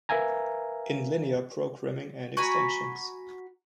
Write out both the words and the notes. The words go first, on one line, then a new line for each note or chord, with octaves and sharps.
In Linear Programming and Extensions.
A#4 B4 E5 F5 G#5 A#5
F#4 G#5 A#5 B5